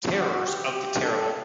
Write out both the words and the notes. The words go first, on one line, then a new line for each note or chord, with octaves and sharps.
Terrors of the terrible!
F#4
G4
G4
A4